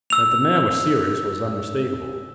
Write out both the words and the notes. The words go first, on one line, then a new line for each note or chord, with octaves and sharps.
That the man was serious was unmistakable.
E6 F7